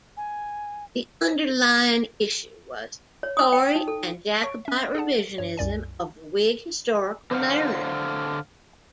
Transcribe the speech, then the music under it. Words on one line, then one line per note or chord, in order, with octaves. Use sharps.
The underlying issue was Tory and Jacobite revisionism of the Whig historical narrative.
G#5
C#5
D#6
G5
D#4
A4
C#5 C#6 D7
C#4 E5
G#4 A4 D5 F#5 A5
G2 C#5
C2 F#2 D5 G#5
D3 C5 F5 F#5